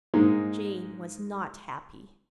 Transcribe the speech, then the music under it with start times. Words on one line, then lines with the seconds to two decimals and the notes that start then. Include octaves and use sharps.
Jane was not happy.
0.14 G#2 G#3 A#3 D#4